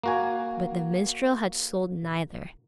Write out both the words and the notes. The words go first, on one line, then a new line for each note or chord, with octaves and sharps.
But the minstrel had sold neither.
A#3 F#4 G#5